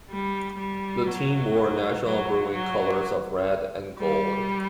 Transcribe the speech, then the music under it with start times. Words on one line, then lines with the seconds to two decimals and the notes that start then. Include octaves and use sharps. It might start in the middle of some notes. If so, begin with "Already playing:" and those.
The team wore National Brewing's colors of red and gold.
0.10 G3
0.58 G3
1.07 F#3
2.05 F#3
2.53 F#3
3.99 G3